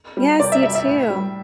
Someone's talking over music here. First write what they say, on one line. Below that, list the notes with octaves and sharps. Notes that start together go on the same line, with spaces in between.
Yes, you, too.
G3
C3 D5
E5
G3 E5
E5
A2
G3